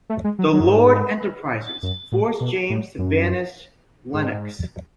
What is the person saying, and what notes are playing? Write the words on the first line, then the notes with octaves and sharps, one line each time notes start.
The Lord Enterprisers forced James to banish Lennox.
A3
G#3
F#3
F#3
F#2
G#2
F#2
A2
B2
A2
F#2
G#2